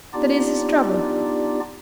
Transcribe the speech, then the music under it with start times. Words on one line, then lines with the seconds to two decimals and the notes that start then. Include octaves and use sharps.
'That is his trouble.
0.13 B3 D4 D#4 F4 G4 D5